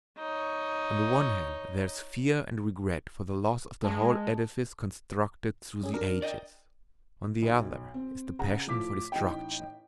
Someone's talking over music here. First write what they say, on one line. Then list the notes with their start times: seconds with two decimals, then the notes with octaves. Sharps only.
On the one hand there is fear and regret for the loss of the whole edifice constructed through the ages, on the other is the passion for destruction.
0.18 D#4 C#5
3.83 G#3 G#4 A5
5.81 F#2 C#4 G#4
5.93 D4 A#4
6.22 D5 D#5 G5
7.42 B1
7.94 C4
8.39 C#3 F#5 A#5
8.67 A2 F3 D6 B6
9.12 A1 D#4 G5